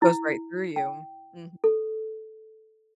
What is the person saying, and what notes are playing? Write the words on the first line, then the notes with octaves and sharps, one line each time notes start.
Goes right through you, mhm.
E4
G5
A4